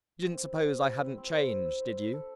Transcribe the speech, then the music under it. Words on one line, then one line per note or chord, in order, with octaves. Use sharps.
"You didn't suppose I hadn't changed, did you?"
C4
E4
C4
G4
E4
E4
C4
C4
E5
E5
C5
E4
A4